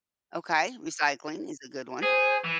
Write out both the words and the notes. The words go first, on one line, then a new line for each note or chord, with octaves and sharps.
Okay, recycling is a good one.
G#4 C5
E3